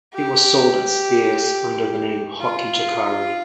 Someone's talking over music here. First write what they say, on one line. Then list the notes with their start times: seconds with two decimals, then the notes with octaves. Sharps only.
It was sold at Sears under the name Hockey Jockari.
0.14 G4
2.41 F4